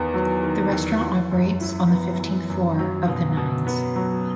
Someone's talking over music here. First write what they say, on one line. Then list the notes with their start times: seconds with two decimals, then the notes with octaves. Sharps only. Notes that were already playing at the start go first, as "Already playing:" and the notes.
The restaurant operates on the fifteenth floor of The Nines.
Already playing: E2 D#3 B3
0.14 F#3
0.43 D#3
0.72 E2
1.01 E3
1.31 F#2
1.61 E4
1.89 B3
2.19 E3
2.50 F#2
2.79 F#3
3.08 B2
3.37 B2
3.67 B3
3.96 F#3